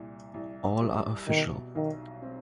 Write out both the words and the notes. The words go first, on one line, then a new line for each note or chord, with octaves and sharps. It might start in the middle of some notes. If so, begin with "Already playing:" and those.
All are official.
Already playing: C2 A#2
C2
G3
B2 D#3
B1 D#3
C4